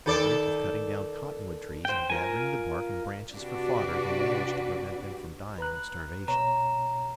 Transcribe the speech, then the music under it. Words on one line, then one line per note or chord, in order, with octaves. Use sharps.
By dint of cutting down cottonwood trees and gathering the bark and branches for fodder, they managed to prevent them from dying of starvation.
D#3 A4 D5
C5 G5
F4 A#4 G#5
C3 D4 F#4 G4 B4 D5
B4 A#5 F#6
B2 C#5 A#5